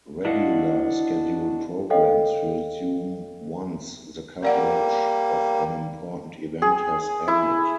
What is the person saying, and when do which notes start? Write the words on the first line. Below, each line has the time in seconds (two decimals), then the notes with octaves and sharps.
Regular scheduled programs resume once the coverage of an important event has ended.
0.25 D4 E4 F#4 D#5 F5
1.90 A4 C#5 D#5 F5 G5
4.42 G3 A#3 A#4 D5 F#5
6.62 G#4
7.28 E4